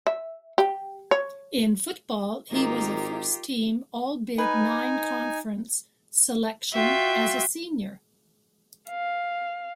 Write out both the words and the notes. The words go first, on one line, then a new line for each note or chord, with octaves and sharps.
In football, he was a first team All-Big Nine Conference selection as a senior.
E5
G4
C#5
G#1 A#3 D#4 F4 G4
D#4 B4 G#5
F4 F#4 E5 G5
F5